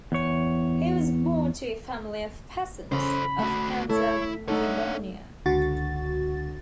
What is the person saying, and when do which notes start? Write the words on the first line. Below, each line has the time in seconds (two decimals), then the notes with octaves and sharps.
He was born to a family of peasants of Penza gubernia.
0.12 E2 C#5
2.92 C#3 C#4 A4 C5 B5
3.39 A3 F#4
3.90 A3 E4 A4 C#5
4.48 A3 D4 D#4 A4 C#5 F#5
5.46 C#2 D3 F#4 A6